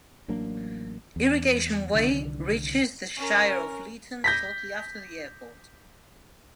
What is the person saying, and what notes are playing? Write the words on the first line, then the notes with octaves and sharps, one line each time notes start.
Irrigation Way reaches the Shire of Leeton shortly after the airport.
A1 F#3 A#3 D4
E2
C2 D3 D#3 F3
C#4 A#4
G6 A#6 B6